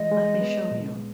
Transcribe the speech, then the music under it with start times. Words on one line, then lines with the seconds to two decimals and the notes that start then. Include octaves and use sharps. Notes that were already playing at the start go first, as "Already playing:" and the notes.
Let me show you.
Already playing: E3 G#3 D#5
0.12 G#3
0.41 B3
0.71 A#2